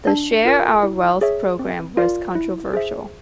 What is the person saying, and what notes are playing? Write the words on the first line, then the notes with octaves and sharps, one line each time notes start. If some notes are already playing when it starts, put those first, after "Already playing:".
The Share Our Wealth program was controversial.
D4
F4 A#4
E4
G#4 C#5 E5
C4
F4 A#4 D5 F5
E4
G#4 C5 E5